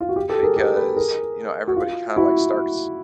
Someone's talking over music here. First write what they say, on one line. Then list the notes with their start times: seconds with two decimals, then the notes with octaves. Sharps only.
because, you know, everybody kind of like starts,
0.01 F4
0.09 F#4
0.16 F4 G4
0.29 G4 A4
0.43 G#4 A#4
0.56 G4 A4
0.76 A4 B4
0.96 G#4 A#4
1.68 F#4
1.76 F4
2.16 E4 F#4